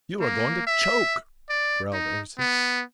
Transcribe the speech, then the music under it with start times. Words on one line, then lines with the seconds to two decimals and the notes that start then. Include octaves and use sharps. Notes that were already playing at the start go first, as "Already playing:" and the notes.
"You are going to choke!" growled Ursus.
0.20 A#3
0.67 E5
1.50 D5
1.92 D#4
2.38 B3